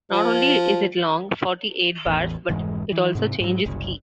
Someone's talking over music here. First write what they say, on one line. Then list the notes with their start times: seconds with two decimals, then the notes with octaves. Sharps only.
Not only is it long - forty-eight bars - but it also changes key.
0.12 F3
2.06 A1 E2
2.49 F1 G#2 E3 G#3
2.92 E3
3.15 G#2 C3
3.40 G#2 F#3
3.66 F#1 C2